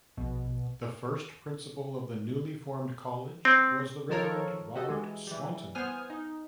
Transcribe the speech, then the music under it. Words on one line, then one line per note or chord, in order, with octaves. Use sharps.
The first principal of the newly formed college was the Reverend Robert Swanton.
A#1 B2
C4
D#3 F3 A4 A#4 C#5
F#4 G4 A4 D#5
E3 G#3
E3 G3
B3 C5 G#5 D#6 F6
D#4